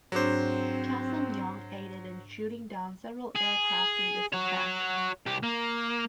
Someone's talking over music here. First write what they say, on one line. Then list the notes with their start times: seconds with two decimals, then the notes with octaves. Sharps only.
"Cassin Young" aided in shooting down several aircraft in this attack.
0.12 G#2 F#3 C4 D4 C5
3.36 G#4
4.33 F#4 C#5
5.26 C2 G4
5.43 A#3